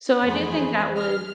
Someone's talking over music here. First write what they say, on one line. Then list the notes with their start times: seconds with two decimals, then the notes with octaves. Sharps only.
So I do think that would
0.23 F2 E3 A3 G#4 C5 B5
0.96 F6